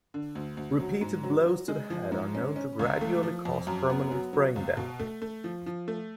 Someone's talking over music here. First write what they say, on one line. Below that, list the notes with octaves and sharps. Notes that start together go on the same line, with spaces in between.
Repeated blows to the head are known to gradually cause permanent brain damage.
D3
D2
D2
F#3
G#2
F#3
F#3
G#3
F3
G#2
C#4
C#4
C#2
A3
F3
F2
F#2
B3
F#3
F#3
C#2
B2
A3
A3
F3
F3
A3